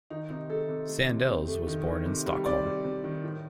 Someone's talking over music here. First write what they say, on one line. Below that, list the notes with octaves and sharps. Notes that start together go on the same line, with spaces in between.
Sandels was born in Stockholm.
D#3 D#4
C3 D#4
A3 A4
C3
A3
C3
C3
A3
D#3
D#3
C3
G3
C3 D5
G3
C3
D#3
A2